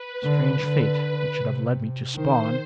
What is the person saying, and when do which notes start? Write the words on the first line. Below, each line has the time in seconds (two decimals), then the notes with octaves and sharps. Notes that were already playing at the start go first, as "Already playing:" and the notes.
Strange fate that should have led me to Spawn!
Already playing: B4
0.24 D3
0.62 D3 B4
1.38 C3
2.15 D#3 C5